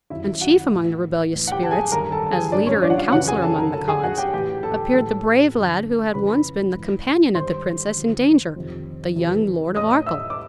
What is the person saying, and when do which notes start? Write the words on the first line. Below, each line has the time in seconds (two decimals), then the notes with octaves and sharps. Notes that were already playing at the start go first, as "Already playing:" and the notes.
And chief among the rebellious spirits, as leader and counsellor among the Cods, appeared the brave lad who had once been the companion of the princess in danger, the young Lord of Arkell.
0.10 F#2 D#3 E4 E5
0.41 F#4 F#5
0.72 A2 E3
1.31 A2 E3
1.47 F#5
1.52 G4 G5
1.63 A5
1.71 G#4 G#5
1.92 G2 D#3 A#4 A#5
2.12 A4 A5
2.27 A5
2.32 G#4 G#5
2.52 G2 D#3 D4 D5
2.67 C#4 C#5
2.82 D4 D5
2.90 F#5
2.97 F4 F5
3.12 F2 C#3 E3 F#4 F#5
3.28 G#4 G#5
3.42 A4 A5
3.58 A#4 A#5
3.72 F#2 D3 A4 A5
3.88 G#4 G#5
4.03 F#4 F#5
4.18 G4 G5
4.33 A2 E3 G4 G5
4.63 A4 A5
4.93 A2 E3 A4 A5
5.54 F#2 D3
6.14 F2 C#3 E3 B4 B5
6.74 G#2 E3
7.34 G2 D#3 C5 C6
7.96 F2 D3
8.56 F2 C3 D#3
9.16 E2 C3 E3
9.76 A2 E3 D#5 D#6
10.06 E5 E6
10.30 D6